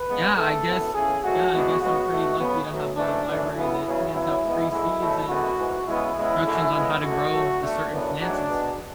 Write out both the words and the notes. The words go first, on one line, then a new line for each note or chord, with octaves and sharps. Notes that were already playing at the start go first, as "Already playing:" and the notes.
Yeah, I guess yeah, I guess I'm pretty lucky to have a library that hands out free seeds and, uh, instructions on how to grow the certain plants and stuff.
Already playing: B4
C#3 G#3 B3
E2 D3 A3 A4
F#2 E3 B3
E2 C#3 E3 G#4
G#2 F#3 A3 F#4
E2 D3 G#3 B3
C#3 G#3 B3 F#4
E2 B2 A3
C#3 F#3 B3
B2 F#3 A3
G#2 E3 A3 D4
F#2 E3 A3
C#3 F#3 B3 E4
E2 C#3 F#3 B3
C#3 F#3 B3 E4
G#2 G#3 B3
E2 D3 G#3 E4
B2 F#3 A3
F#2 D3 G#3 B3 F#4
G#2 E3 G#3
C#3 G#3 B3 E4
E2 C#3 G#3 B3
F#2 D3 A3
C#3 G#3 B3
F#2 D3 A3 F#4
A2 F#3 A3
E2 D3 A3 D4
F#2 C#3 E3 B3
G#2 F#3 A3 D4
B2 G#3 B3